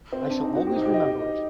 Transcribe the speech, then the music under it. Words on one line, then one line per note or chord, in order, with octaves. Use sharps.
I shall always remember it.
C4
D4
D#4
F#4
G4
D#4
G4
D#5